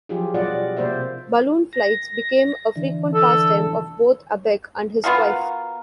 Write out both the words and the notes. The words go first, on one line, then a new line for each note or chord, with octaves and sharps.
Balloon flights became a frequent pastime of both Abegg and his wife.
F3 F#3 F4 G4 G#4
B2 G3 F4 D5 D#5 F#5
C3 A#3 C5 D5 E5
A#6
D3 E3
A4
B3 F4 F#4 A#4